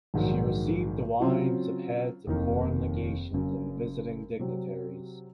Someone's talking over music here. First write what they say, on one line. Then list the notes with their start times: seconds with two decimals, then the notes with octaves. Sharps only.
She received the wives of heads of foreign legations and visiting dignitaries.
0.14 A#1 G#2 D#3 F#3
1.20 C#3 F#3 C4 F4
2.27 F1 D#2 D#3 A#3 D#4
3.33 F#1 F#2 C#3
4.40 C3 F#3 C4